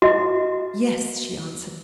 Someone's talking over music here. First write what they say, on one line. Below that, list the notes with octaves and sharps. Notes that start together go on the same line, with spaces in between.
"Yes," she answered.
F#4 D#5 E5